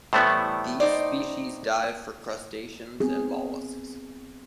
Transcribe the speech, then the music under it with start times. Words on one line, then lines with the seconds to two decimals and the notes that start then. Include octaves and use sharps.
These species dive for crustaceans and molluscs.
0.13 A2 E3 G3 A3 B3 C5
0.80 D#4 C5 D5
3.00 B3 C4 G#4